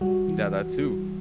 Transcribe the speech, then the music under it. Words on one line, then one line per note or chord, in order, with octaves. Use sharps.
Yeah, that too.
G3 F#4
E3